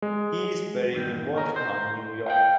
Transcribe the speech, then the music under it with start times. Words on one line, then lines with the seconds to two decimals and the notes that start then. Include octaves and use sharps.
He is buried in Watertown, New York.
0.02 G#3
0.92 E2 G2 D#3
1.34 C#4 A#4
1.56 C5
2.26 D#5 F5 G5